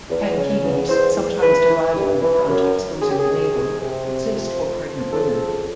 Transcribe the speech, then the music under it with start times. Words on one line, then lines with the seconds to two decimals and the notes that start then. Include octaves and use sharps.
Tankinis, sometimes divided in front exposing the navel, exist for pregnant women.
0.10 E2
0.37 C#3
0.63 E2
0.89 E2 C5
1.16 E2
1.42 E3 B4
1.69 E3
1.96 G2
2.22 E3
2.49 F#2
2.75 F#2
3.02 F#3 G#4
3.11 G4
3.20 G#4
3.28 D#3
3.54 C3
3.81 C3
4.07 C3
4.34 F3
4.60 F2
4.86 F3
5.13 C#3 A4
5.40 F2